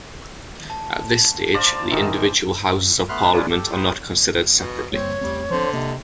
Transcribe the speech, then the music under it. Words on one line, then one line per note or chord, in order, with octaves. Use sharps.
At this stage, the individual houses of parliament are not considered separately.
A5
C5 D5 F5 A#5 C6 E7
D#3 E3 D#5 E5
A3 B3 B5 C6 F6 F#6
C#4 D4 F4 G#4 B4 D5
G4 A4
F4 A#4 B4 G5 D#6
B2
F#1 G3 A#3 C4 C#5
E2 G3 A3 C4
D3 F3 C4 C5
C3 A#3 D#5